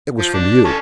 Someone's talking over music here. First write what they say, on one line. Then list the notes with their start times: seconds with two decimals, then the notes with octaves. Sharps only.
It was from you!
0.19 F3
0.34 D4
0.65 C#4 A4